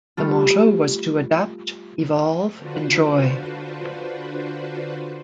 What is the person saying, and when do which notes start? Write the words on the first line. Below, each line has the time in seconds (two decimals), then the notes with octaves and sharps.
The motto was to Adapt, Evolve, Enjoy!
0.17 G3 A3 F4
2.59 D3 D4 F4 F#4 B4 C5